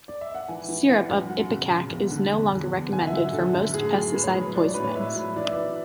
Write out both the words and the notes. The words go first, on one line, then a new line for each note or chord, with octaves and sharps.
Syrup of ipecac is no longer recommended for most pesticide poisonings.
D5
E5
F#5
E3 G#5
E3
E3 F#5
F#2
F#3 F#5
C#3
C#3
E2
D3
E2
E2
E2
D3 G#5
F#5
E5
F#3 F#5
D3 A4
F#2
A2 G#4
F#3
A2 B4
C#5
F#3 B4
F#3 D5
C#5
A2 B4
C#5
A2 E5
F#3
E3 D5
E5
D5
E3